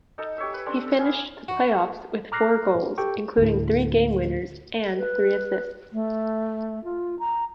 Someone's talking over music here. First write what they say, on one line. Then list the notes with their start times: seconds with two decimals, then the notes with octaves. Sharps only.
He finished the playoffs with four goals, including three game winners, and three assists.
0.18 D#4 A4
0.38 G4 C#5 E5
0.54 B4
0.66 C4 D4 A4
0.99 B3 F5 G#5
1.48 F#4
2.32 A#5 D6 F6 F#6 A#6 C7
2.98 G4 A4 G5 C#6
3.38 D2 A2
4.98 B4
5.93 A3
6.84 F4
7.19 A#5